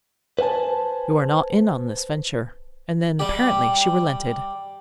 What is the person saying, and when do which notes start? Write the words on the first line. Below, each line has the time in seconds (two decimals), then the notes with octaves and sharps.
"You are not in on this venture." And then apparently she relented.
0.39 B4 C5 F5 G#5 A5
3.19 G3 G4